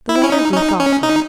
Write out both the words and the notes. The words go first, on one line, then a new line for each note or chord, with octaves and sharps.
The lawyer grew thoughtful.
E4
C#4
D#4
C#4
D#4
C#4
D#4